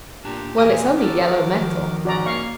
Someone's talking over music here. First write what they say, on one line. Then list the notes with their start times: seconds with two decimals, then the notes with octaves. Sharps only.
Well, it's only yellow metal.
0.25 A#2 D4 G4 A5 A#5
0.58 E3 D#5 G5 G#5 D#6
0.98 F#4 G4 A4 A#4 D6
1.47 D#3 F3
2.05 G#2 C#4 F#4 D5 D#5 A#5
2.26 A#3 F5 C#6